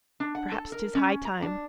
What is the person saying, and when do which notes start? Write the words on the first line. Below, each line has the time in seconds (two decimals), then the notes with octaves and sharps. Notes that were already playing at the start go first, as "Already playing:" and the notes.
Perhaps 'tis high time.
0.20 D4
0.35 F#5
0.52 A4
0.72 A#4
0.95 C#4
1.25 A#5
1.42 D4